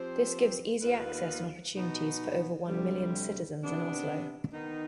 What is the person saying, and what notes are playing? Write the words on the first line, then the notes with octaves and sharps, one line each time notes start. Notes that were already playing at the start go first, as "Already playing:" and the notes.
This gives easy access and opportunities for over one million citizens in Oslo.
Already playing: F3 C4 G4 C5
D#2 D#3 B3 F4 B4
B2 B3 D#4
D2 C3 G3
C3 D#3 B3 D4
D#3 B3 D#4